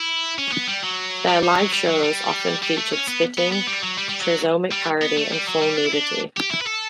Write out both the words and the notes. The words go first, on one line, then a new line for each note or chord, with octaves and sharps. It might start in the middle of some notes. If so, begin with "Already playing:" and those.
Their live shows often featured spitting, trisomic parody, and full nudity.
Already playing: E4
C#4
B3
G3
F#3
G3
G3
F#3
G3
F#3
G3
G3
A3
C#4
B3
B3
B3
G3
F#3
G3
G3
F#3
G3
B3
A3
G3
F#3
G3
D4
E4
D4
G4
E4
B4
A4